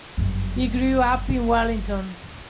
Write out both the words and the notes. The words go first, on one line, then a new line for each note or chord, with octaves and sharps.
He grew up in Wellington.
G1 F#2